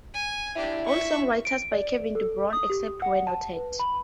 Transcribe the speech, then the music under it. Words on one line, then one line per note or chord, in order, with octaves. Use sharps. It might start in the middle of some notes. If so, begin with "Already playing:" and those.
All songs written by Kevin DuBrow, except where noted.
G#5
D4 E4 G4
E5 C#6
D7
D5
A4
D#6
G4
F#5
A5
B4
B5